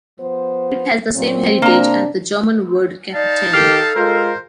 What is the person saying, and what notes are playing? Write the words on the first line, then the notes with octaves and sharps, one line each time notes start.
It has the same heritage as the German word “Kapitell”.
F3 B3 C5
A#2 F#3 C4
C3 A#3 D4 A#5
D#4 D5 F5 A5
D#3 G4 A4 F6 C7
G#3 F4 A#4 C5